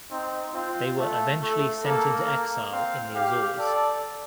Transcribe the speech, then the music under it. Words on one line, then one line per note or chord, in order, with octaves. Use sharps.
They were eventually sent into exile in the Azores.
C4 D#4
C4 F4
A3
A3 A4
A#3 A4
C4 F5
G4 F5
A4 D5